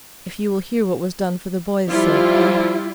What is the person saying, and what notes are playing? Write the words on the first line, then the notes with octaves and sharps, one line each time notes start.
"If you will hear what was done for the boy's sake--eh?"
F3 G3 E4 F4